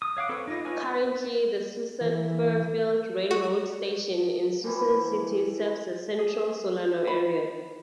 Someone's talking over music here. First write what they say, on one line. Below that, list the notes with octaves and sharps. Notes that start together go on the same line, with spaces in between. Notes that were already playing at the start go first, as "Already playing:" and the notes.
Currently, the Suisun-Fairfield railroad station in Suisun City serves the central Solano area.
D#6
C#5 F5 F#5 D6
C4 A4 B4 C#5
D#4 F4 D#5
F4 B4 C#5 D#5 G#5
E3
F#4
E3 F3 G3 E4
G#4
B5